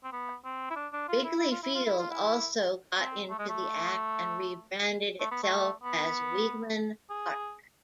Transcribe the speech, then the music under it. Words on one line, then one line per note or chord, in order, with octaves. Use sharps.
Wrigley Field also got into the act and rebranded itself as Weeghman Park.
C4
B3
C4
E4
D4
D4
F4
E4
E4
F4
E4
F4
E4
F4
E4
C4
A3
G#3
A3
A3
B3
A3
B3
G#4